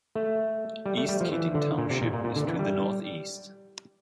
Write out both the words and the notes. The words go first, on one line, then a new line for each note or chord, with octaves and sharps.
East Keating Township is to the northeast.
A3
G3
A3
G3
F3
E3
D3
A#2
C3
A#2
A#2
A#2
D3
E3
G3